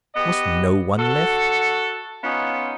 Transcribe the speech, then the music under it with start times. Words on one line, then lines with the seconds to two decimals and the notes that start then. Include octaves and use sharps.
Was no one left?
0.15 B3 G4 D#5
0.97 F#4 A4
2.24 B3 C#4 D#4 F4